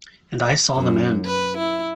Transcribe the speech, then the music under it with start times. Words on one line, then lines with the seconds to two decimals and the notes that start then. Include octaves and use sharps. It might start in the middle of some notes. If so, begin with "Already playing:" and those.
And I saw them end.
0.75 F#2
1.26 B4
1.58 E4